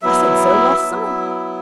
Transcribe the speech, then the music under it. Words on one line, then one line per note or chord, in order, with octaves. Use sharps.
I said so last summer.
F#3 B3 E4 E5
F#3 B3 E4